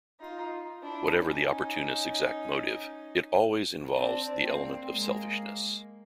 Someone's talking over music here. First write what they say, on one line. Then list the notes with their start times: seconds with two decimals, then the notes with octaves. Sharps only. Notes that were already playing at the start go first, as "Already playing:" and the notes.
Whatever the opportunist's exact motive, it always involves the element of selfishness.
0.20 D#4 F4
0.83 D4 E4
1.14 C#4 D#4
3.95 C4 D4
4.41 A#3 C4
4.89 G#3 A#3